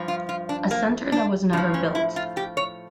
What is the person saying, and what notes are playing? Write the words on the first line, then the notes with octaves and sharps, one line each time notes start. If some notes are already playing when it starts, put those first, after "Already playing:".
A center that was never built.
Already playing: G2 F3
F4
F4
D4
A#3
D4
A2 F3 D4
C#4
E4
F4
G4
C#5